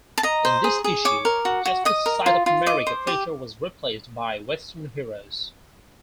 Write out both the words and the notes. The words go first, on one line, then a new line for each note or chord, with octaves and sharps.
In this issue, the "Justice Society of America" feature was replaced by Western heroes.
A5
D#5 A#5
C5
G#4
G#4
C#5 D6
A#4
F#4
F#4
D#5 D#6
A#4
F4
F4
D#5 D6
C5
G4